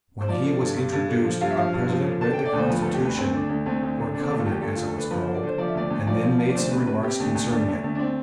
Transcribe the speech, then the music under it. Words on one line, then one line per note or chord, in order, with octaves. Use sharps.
When he was introduced our president read the constitution, or covenant as it was called, and then made some remarks concerning it.
C5
F3 D5
D3
G2
G2
G2
D3
F3
G2 F5
E5
F3 F5
G2
F3
D3
D3 A5
G5
D3
D5
D2 C5
F3 B4
A4
D2
G4
D2 B4
D2 C4
D3 D4
D2
D2 C4
D2
D3
D3 D4
C4
D4
D2
F4
D2 G4
G4
D2 A4
D2 F4
A4
D3 B4
F3 B4
C5
D3
D5
D3 C5
F3 D5
E5
D2 D5
D2
F3 D5
F3
F3
D5
D2 C5
C3 B4
C3 B4
C3 G4
D2
D2
D2 D4
D2
D2
D4
C4